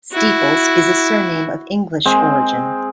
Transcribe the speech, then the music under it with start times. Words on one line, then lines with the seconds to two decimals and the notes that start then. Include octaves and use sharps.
Steeples is a surname of English origin.
0.12 E4 F#4
2.05 G#3 C4